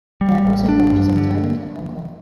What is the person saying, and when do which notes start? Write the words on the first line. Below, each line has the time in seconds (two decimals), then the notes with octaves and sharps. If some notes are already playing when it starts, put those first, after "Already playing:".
There are also branches in Thailand and Hong Kong.
0.21 G3
0.45 A1
0.69 D4
0.92 G2
1.17 D3